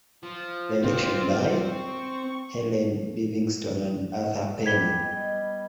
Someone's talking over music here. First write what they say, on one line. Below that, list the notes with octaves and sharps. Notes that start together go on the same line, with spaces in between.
Direction by: Helen Livingston and Arthur Penn.
F3
C4 F4 D5
C#6
G3 B3 G#6 B6 G7
D#5